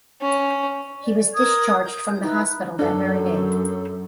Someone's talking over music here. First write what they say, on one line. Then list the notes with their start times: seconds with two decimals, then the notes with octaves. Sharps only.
He was discharged from the hospital that very day.
0.21 C#4
1.04 D5
1.34 A#4 D#6 G#6
1.83 G6
2.22 D#4 E4 B4
2.79 F#2 D4 A4